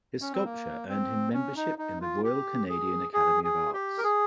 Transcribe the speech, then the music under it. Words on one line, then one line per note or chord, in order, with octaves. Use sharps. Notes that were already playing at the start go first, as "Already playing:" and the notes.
His sculpture earned him membership in the Royal Canadian Academy of Arts.
C#4
C4
A#3
C4
C#4
D#4
D#4
F4
G4
G#4
G#4
G#4
G4
A#4
G#4